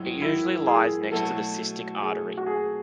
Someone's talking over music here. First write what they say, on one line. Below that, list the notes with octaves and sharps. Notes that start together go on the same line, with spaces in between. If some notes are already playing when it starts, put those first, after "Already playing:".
It usually lies next to the cystic artery.
Already playing: G#2 D#3 F#3 E4
E4
G#4
B2 F#3 A3 E4 A4
G#4
F#4
G#4